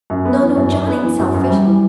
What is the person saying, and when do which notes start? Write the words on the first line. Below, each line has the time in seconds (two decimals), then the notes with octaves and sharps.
'No, no; John ain't selfish!
0.10 F#2
0.25 B3
0.41 E3
0.56 F#2
0.72 F#2
0.88 B3
1.03 E3
1.18 F#2
1.34 F#2
1.50 G3
1.65 E3